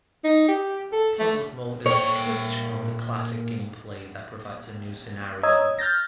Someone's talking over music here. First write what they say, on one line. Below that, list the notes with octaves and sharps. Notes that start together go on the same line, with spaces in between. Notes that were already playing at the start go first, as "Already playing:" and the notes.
Puzzle Mode is a twist on the classic gameplay that provides a new scenario.
D#4
G4
A4
A3
A#2 C#5 G5
C#5 D#5 A#5 D#6 E6 G#6
F6 G6 A6 A#6